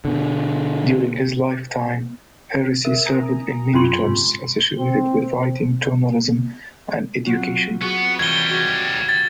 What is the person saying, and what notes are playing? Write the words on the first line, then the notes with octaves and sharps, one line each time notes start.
During his lifetime, Hersey served in many jobs associated with writing, journalism and education.
B2 D3
A#4 E5
G#5 A#5 D#6
F#2 C#4 F4 G#5 C6 C#6
G#2 C3
C4
F#3 C4 F4
B3 F#4 G#4 C#6
D#2 C3 E3 G3 G#6 G7
F#4 G#4
A6